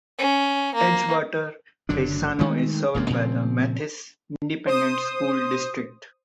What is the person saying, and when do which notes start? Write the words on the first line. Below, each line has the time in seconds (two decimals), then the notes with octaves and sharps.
Edgewater-Paisano is served by the Mathis Independent School District.
0.19 C#4
0.74 A#3
1.89 F#1 D3 F#3 D4
2.39 D#3 G#3 A3
2.94 D#1 C#2 G#2 A#3
3.10 A#2 C#3 F3 C4
4.66 C5 D#6